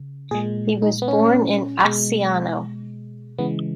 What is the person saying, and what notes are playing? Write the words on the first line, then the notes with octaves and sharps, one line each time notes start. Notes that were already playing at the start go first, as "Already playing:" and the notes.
He was born in Asciano.
Already playing: C#3
A#2 G#3 G#4
D#4
B3
C#4
B2 G#3
C#3 E3 G#3 B3